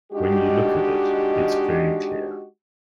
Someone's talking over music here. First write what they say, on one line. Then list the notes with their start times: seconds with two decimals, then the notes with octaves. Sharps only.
When you look at it, it's very clear.
0.12 G#3 D4 D#4 F#4 G4